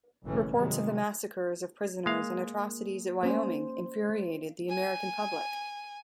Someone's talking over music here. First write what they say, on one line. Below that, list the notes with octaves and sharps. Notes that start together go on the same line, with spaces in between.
Reports of the massacres of prisoners and atrocities at Wyoming infuriated the American public.
F#1 B1 E3 A3 C#4
G2 C3 D#3 F#3 G#3
G#3 A#3 F5
A#3 C#4 C5
G#5